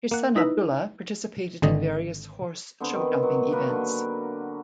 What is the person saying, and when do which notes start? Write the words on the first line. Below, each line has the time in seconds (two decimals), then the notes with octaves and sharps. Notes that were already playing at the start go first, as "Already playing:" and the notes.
His son Abdullah participated in various horse showjumping events.
0.11 A#3 F#5
0.36 D#4 E4 B4
1.62 G#1 D3 D#5
2.80 D3 B3 C4
2.94 D#3
3.23 F#3 F#5
3.52 A#3 F#4 A#4 B4
3.69 D3